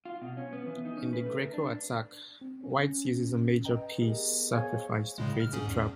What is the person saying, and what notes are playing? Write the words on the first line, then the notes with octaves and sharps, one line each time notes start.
In the Greco Attack White uses a major piece sacrifice to create a trap.
F4
B2
C#4
B3
E3
D#4
C#4
B4
A3
A#4
D4
C4
C#4
B4 D#5 G5 A#5
B3 G4 G#4 A#4 D#5
G#4 C5 C#5 F5 G#5
A2 C#3 G#3
F6
G#2 C#4 G#4
E2